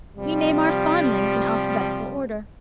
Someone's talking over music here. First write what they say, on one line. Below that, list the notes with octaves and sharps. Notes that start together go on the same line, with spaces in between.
We name our fondlings in alphabetical order.
C3 F3 G3